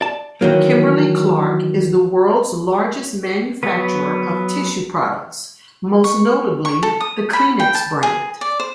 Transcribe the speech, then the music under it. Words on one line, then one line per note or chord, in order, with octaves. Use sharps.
Kimberly-Clark is the world's largest manufacturer of tissue products, most notably the Kleenex brand.
D5 A5
D#3 E3 F#3 A#3
F#3 B3 B4
C#6
C#6
A4
D#6
B5
G5
A5
G#4
D5
C5